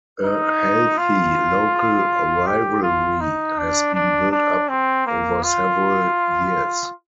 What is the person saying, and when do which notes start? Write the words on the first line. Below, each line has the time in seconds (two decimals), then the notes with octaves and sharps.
A healthy local rivalry has been built up over several years.
0.24 D#4
0.98 F4
2.47 G4
2.83 F4
3.21 D#4
3.58 D4
3.95 D4
4.31 D4
4.69 C4
5.06 A#3
5.43 F4